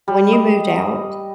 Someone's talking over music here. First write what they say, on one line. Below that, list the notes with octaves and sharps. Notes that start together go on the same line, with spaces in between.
when you moved out
G3
D#5